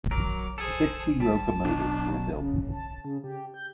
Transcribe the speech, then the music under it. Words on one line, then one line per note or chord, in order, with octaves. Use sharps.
Sixty locomotives were built.
F#3 A#4 D6
G#4 A4 C5
G3 A5
B2 F#3 C#4 D4
C#3
A5
C#3
G4
G6